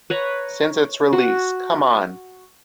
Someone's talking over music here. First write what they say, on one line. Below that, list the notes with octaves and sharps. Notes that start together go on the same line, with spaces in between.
Since its release, Come On!
B4 C#5 A#5
F#4